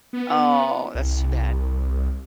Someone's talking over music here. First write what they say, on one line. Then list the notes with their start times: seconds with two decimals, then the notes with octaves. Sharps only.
Oh, that's too bad.
0.13 B3
0.95 C2